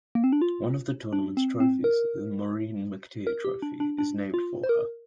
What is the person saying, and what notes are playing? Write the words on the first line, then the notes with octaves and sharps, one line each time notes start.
One of the tournament's trophies, the Maureen McTeer Trophy, is named for her.
A#3
C4
D4
F4
D4
C4
C4
A#4
A#4
G4
D4
D4
D4
F4
C5
A#4